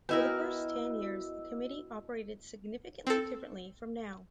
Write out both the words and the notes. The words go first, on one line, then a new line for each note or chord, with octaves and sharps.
For the first ten years the committee operated significantly differently from now.
B3 E4 F#4 A#4 D#5 E6
C4 A4